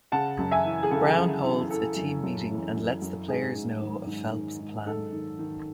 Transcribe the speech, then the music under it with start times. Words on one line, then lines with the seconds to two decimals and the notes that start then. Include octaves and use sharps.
Brown holds a team meeting and lets the players know of Phelps' plan.
0.12 C#3 F#5 A5
0.39 F#2
0.51 E5 G#5
0.65 E3
0.83 G#4
0.91 C#3 A4
1.18 C#3
1.44 E3
1.70 E3 A4
1.96 F#2
2.23 F#2
2.49 E3
2.75 F#2
3.02 F#2
3.28 G#2 G#4
3.55 G#2
3.81 D#3
4.07 G#2
4.33 D#3
4.60 G#2
4.86 G#2 A4
5.12 D#3
5.39 D#3